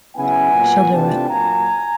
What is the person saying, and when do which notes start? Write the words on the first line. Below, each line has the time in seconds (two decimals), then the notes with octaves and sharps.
She'll do it.
0.16 C#3 F#3 B3 E4 F#5 G#5
0.54 A#2 F#3 B3
0.92 C3 E3 A3 D4 F4 G5 A5
1.30 A#2 F#3 A#3 G#5 A#5